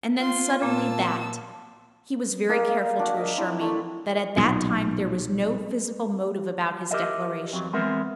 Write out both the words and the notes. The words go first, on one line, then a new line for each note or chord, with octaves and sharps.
And then, suddenly, that--He was very careful to assure me that at that time there was no physical motive about his declaration.
C4 F4 C6
A#2 A#3 A5 E6
A#3 G#4 D#5 A#5
F5
D4 F#4
A#3 D#5 E5
C4 D4 E4
A3 E4 D5
B1 A#2
G4 A#4 D#5 E5
F2 F#3
E2 G#3 B3 C4 A#4 E5